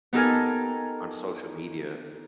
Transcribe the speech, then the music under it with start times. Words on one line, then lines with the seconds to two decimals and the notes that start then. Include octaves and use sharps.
on social media,
0.13 B3 D#4 G4 A4 A#4 G#5